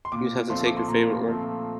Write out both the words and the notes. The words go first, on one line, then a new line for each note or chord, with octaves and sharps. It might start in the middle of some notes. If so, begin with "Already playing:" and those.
You'd have to take your favorite one.
C6
A#2 D6
F3 A3 C4 C6
D6
C6
A#2 A#5
F3 A3 C4